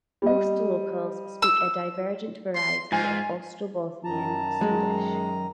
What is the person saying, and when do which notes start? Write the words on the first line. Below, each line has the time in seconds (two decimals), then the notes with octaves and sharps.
Most locals speak a divergent variety of Ostrobothnian Swedish.
0.22 G3 D#5
1.42 E6
2.55 C6
2.92 G#2 F4 G#5
4.05 F#2 D#3 A5 A#5
4.61 F#3 G#3